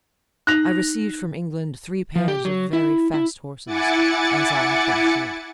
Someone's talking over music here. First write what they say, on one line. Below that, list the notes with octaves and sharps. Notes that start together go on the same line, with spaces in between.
I received from England three pairs of very fast horses, as I had been assured.
D#4 F#6 A#6 F7
F3
G4
F#3
E4
E4
E4 F#5 G#5 D6 A6 C#7